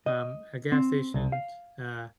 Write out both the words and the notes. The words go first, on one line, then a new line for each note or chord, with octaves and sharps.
um, a gas station, uh,
D#5
C4
C2
F5